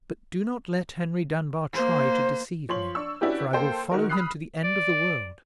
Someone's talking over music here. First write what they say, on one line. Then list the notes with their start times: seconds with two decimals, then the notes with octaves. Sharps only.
But do not let Henry Dunbar try to deceive me! for I will follow him to the end of the world.
1.73 A#3 C5
2.69 F3 C#5 C6 F#7
2.95 D4 C#6 E6
3.21 C#4 D4 E4 F#4 G4 B4
3.53 A#3 A4 C5 G5
3.92 D#3 F#4 A#4
4.09 B5 D#6 F6 F#6 C7
4.64 D5